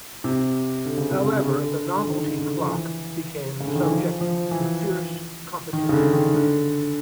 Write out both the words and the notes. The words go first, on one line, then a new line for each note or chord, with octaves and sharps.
However, the novelty clock became subject to fierce competition.
C3
D3
C#3
C3
C#3
D3
D3
D#3
C#3
D3
F3
E3
C#3
D3
D#3
E3
F3
F3
E3
D#3
C#3
D3
D#3
D3